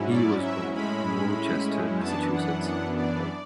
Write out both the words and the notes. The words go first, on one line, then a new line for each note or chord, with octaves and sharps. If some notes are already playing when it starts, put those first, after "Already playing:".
He was born in Worcester, Massachusetts.
Already playing: G#2 F#3 C#4 E4
D5
E5
A2 G#3 C#4 E4 B5
F#2 E3 B3 D4 A5
F#5
F#5
D5